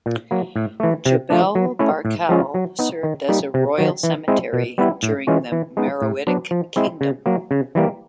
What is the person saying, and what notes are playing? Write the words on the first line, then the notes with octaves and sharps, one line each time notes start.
Jebel Barkal served as a royal cemetery during the Meroitic Kingdom.
A#2
F#3 A#3
A2
E3 A3
C3
F3 A3 D4
F#3
A3 C#4 E4
A2
F3 G#3 C#4 F4
F#3
B3 D#4
D#3
G3 A#3 D#4
C3
D#3 F#3
E3
G#3 C4 E4
B2
G3 B3 E4
A2
E3 G#3 C#4 F4
E3
G#3 B3 D#4
A2
F#3 B3 D4
F3
G#3 C4 E4
C#3
F#3 A#3
C#3
E3 G3 A#3